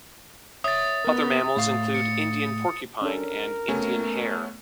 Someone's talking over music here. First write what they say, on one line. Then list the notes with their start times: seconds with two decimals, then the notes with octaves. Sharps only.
Other mammals include Indian porcupine and Indian hare.
0.64 C#5 E5 D#6 A6
1.05 B3 A#4
1.57 A2 F5
1.95 C#7
3.02 C#4 D4 A4 A#4
3.68 A3 B3 C#4 G#5